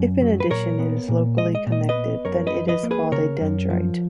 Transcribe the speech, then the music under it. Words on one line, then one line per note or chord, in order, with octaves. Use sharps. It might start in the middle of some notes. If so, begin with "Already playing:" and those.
If in addition it is locally connected then it is called a dendrite.
Already playing: F#2
F#3
B4
A#2 A#4 C#5
B3
A#2
G#3 D#5
D#5
A#2
D#5
B4 D#5
B3
F#2 A#4 C#5
B4 D#5
F3
B4 D#5
A#3
G#4 B4
C#3 A#4 C#5
F#2
F3